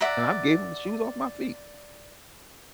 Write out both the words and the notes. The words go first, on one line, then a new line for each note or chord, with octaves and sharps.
and I've gave 'em the shoes off my feet,
D5 E5 F#5 A#5